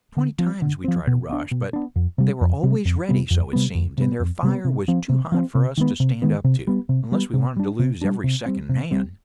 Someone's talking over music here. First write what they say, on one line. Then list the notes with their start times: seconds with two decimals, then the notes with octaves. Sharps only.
Twenty times we tried a rush, but they were always ready--so it seemed--and their fire was too hot for us to stand up to, unless we wanted to lose every second man.
0.17 D3
0.39 F3 C4
0.62 D3
0.84 F3 C4
1.07 B2
1.29 B3 D4
1.51 B2
1.73 B3 D4
1.96 F2
2.18 C3 G3
2.41 F2
2.63 C3 G3
2.85 F2
3.09 C3 G3 B3
3.31 F2
3.53 C3 G3 B3
3.75 F2
3.98 C3 G3 B3
4.20 F2
4.43 C3 G3 B3
4.65 C3
4.88 F3 C4
5.09 C3
5.32 F3 C4
5.55 C3
5.77 D#3 G#3 B3
6.00 C3
6.22 D#3 G#3 B3
6.44 C3
6.67 G3 B3
6.89 C3
7.12 G3 B3
7.34 C3
7.57 G3 D4
7.79 C3
8.02 G3 D4
8.24 C3
8.46 G3 C4
8.69 C3
8.91 G3 C4